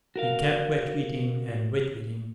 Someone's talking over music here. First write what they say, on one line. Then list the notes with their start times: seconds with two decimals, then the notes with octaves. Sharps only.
We kept wetweating and wetweating.
0.16 F#4 A#4 F5